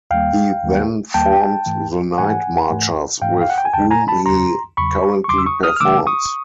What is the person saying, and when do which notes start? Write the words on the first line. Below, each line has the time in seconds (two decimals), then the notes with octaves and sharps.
He then formed The Night Marchers, with whom he currently performs.
0.11 D#2 D#3 G3 A#3 F5 G5
0.63 D#2 D#3 G3 A#3
1.14 D#2 D#3 G3 A#3 G5 A5
1.66 G#2 E3 A3
2.18 G#2 E3 A3 F#5 G#5
2.70 G#2 E3 A3
3.21 G#2 E3 A3 F5 G5
3.41 F5
3.50 F#5
3.58 G5
3.65 G#5
3.73 E2 C#3 F#3 G5 A5
3.91 G#5 A#5
4.08 A5 B5
4.26 E2 C#3 F#3 A#5 C6
4.77 E2 C#3 F#3 B5 C#6
5.24 C#6
5.29 E2 C#3 F#3 C6 D6
5.38 E6
5.46 C#6 D#6
5.63 D#6 F6
5.76 F6
5.80 C#3 E3 A3 D4 D6 E6
6.07 C#6 D#6